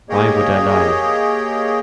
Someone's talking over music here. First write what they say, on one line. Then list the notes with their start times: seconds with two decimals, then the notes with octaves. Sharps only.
Why Would I Lie?
0.09 A#3 G4 G#4 C#5 D#5